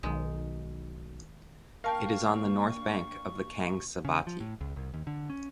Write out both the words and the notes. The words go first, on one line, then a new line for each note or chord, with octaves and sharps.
It is on the north bank of the Kangsabati.
B1 D#3 G#3
A#3 D4 A#4 F5 G5 A5 C#6
C#3
F3
A2
C#2
C2
D#2
D3
C#4